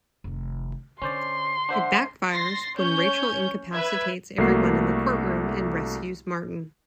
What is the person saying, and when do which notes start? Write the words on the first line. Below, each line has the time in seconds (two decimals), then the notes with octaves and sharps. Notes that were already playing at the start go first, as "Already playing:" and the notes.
It backfires when Rachel incapacitates everyone in the courtroom and rescues Martin.
0.24 F1 D#3
1.02 D3 C#4 C5 D5 C6
1.69 D4 C5 E5 F#5
2.32 C6 A6 A#6 C7
2.77 C#4 C#5 G6
3.73 B4 E5 G#6
4.38 C2 A3 A#3 F#4 C7